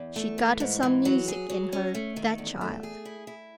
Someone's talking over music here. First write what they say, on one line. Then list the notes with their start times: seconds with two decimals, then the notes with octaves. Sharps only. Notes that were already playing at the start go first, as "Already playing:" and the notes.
She gotta some music in her, that child.
Already playing: E2
0.16 A3
0.38 E3
0.60 G#2
0.83 E3
1.05 F#3
1.28 G#4
1.50 F#3
1.73 C#4
1.95 A3
2.16 D#3
2.38 E2
2.61 A3
2.83 G#4
3.05 E4
3.27 E4